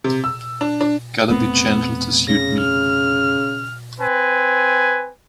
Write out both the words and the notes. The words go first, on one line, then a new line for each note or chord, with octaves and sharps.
Gotta be gentle to suit me.
C3
E6
D4
D4
F1 A3 B3 C4
C#3 A#6
F6
C4 B4 G#5